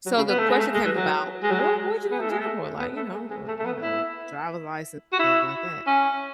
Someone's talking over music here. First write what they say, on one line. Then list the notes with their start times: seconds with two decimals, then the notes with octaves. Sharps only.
So, the question came about, "What what did you go to jail for?" Like, "You know, uh, you know, driver's license, something like that?"
0.06 F#3
0.17 C#3
0.28 B3
0.38 A3
0.49 G#3
0.60 A3
0.74 G#3
0.85 E3
0.96 F#3
1.43 G#3
1.51 F#3
1.59 G#3
2.11 B3
2.20 A3
2.30 G#3
2.39 A3
2.79 B3
2.96 A3
3.14 G#3
3.30 G#3
3.48 A3
3.59 A3
3.65 B3
3.82 E4
5.12 F#4
5.19 E4
5.87 C#4